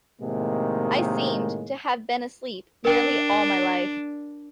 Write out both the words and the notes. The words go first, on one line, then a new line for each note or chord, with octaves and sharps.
I seemed to have been asleep nearly all my life.
A2 C3 D#3 G#3 A#3
D4 A#4 G5